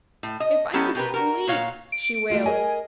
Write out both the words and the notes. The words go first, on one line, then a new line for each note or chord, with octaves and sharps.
"If I could sleep," she wailed.
A2
D#5
F#3 B3 C#4 E4 G4 A4
B2 G4 A#4 B4
F#4 A#4
A#2 F#4 C#5 F5
D7
A3 F4 F#4
G#4 A#4 D#5 G#5